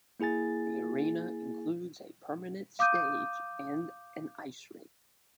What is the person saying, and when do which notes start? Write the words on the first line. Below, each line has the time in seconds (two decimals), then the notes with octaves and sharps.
The arena includes a permanent stage, and a ice rink.
0.20 A#3 E4 G#4 G#5 A6
2.79 F5 D6 D#6 G6 D#7